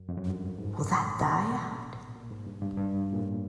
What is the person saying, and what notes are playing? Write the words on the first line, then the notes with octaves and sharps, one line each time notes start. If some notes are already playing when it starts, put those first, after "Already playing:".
Will that die out?
Already playing: F#2
F2
F#2
G2
G#2
A2
B2
A#2
A#2
G#2
G2
G2
G2
A#2
A2